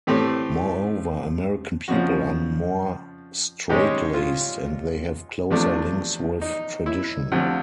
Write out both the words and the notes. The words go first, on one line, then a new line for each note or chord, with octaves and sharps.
Moreover, American people are more straitlaced and they have closer links with tradition.
A2 E3 A3 C4 G4
F2 C#3 F3 F#4
G#2 D#3 G#3 C#4 G4
F4
E2 C3 F3 A3 D4
D#4
E4
D2 C3 F3 F4